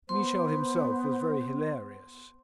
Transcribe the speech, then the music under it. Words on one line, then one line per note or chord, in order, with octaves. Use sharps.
Michel himself was very hilarious.
B3 C5 C6